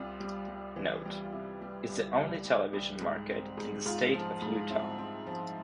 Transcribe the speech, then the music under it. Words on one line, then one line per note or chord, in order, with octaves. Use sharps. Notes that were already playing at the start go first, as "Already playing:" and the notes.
Note: is the only television market in the state of Utah.
Already playing: C2 C3 F4
G3
G3
E3
G3
F4
C3 E4
G3
C2
G3
C2
C2
G#2
C4
G#2
G#2 F4
F3
G#2
C4 E4
C4
F3